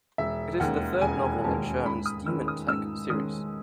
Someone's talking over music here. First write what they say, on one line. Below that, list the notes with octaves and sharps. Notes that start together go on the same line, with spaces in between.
It is the third novel in Sherman's DemonTech series.
E1 E5
D#2 D#3 G#3 C#4 F#5
E1 G#5
D#2 D#3 G#3 C#4 A5
G#2 B5
D#6
D#3 G#3 C#4 E6
D#6
G#2 E6
D#3 G#3 C#4 D#6